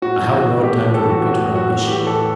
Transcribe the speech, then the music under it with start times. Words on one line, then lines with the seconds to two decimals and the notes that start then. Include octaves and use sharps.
I have no time to repeat rubbish.
0.02 A2 F#4
0.22 E3
0.33 F#4
0.43 A2
0.63 A3 G4
0.84 A2
0.94 A4
1.05 E3 F#4
1.24 A2 F#4
1.46 A3
1.56 F#4
1.66 A2
1.87 E3 G4
2.07 A2 A4